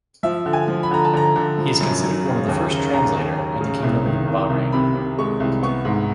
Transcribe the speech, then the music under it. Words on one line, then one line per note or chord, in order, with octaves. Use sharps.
He is considered one of the first translator in the Kingdom of Bahrain.
F3 E5
D3
G#5
F3
B5
D3 A#5
A5
D3 A#5
D3
F3
F#2
F#3
C#3
D#2
C#3
D#2 A#5
D#2
D#2
C#3
C2
D#3
C2
C2
C3 B5
C3
G#3 C#6
C2
B3 C#6
G#2